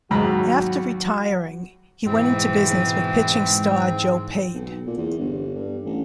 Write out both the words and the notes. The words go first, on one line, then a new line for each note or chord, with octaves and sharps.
After retiring, he went into business with pitching star Joe Pate.
D#2 G#2 F#3 G#3 F#4 A#5 B5
G#2 B2 E3 C4
B1
A#2
E2
G1
G2
A1